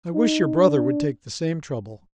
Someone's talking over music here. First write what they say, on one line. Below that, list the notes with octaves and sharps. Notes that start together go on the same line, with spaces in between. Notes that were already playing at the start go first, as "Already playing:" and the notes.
I wish your brother would take the same trouble.
D#4
D4